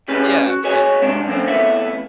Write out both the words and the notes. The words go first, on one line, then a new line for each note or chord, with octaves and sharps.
Yeah, but
A2 C#4 G4 G#4 B4
F#4
F#4 G#4 B4 C#5 D#5 G#5
G#2 C3 D4
F#2 D3 A#3 C4
F2 A3 B3 E4